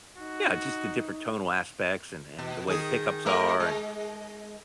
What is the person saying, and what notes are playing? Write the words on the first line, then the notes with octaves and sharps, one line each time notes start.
Yeah, just the different tonal aspects and and the way the pickups are, and
D#4 F#4
B2
D#3 G#4
A3 G4 A#4
G#3